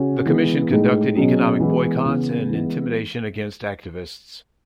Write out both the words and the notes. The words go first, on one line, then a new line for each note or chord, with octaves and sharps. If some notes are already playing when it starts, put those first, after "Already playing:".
The Commission conducted economic boycotts and intimidation against activists.
Already playing: C#3 C#4 F#4
E3 G#3 B3
A2 G#3 D#4
B2 F#3 C#4 G#4
E3 G#3 B3 E4
C#3 E3 B3
E3 G#3 B3 E4